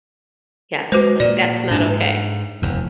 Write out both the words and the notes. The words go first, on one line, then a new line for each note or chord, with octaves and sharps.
Yes, like, that's not okay.
G#3 F#4 B4 C5
A#2 D5
G#2 D4
F1 E2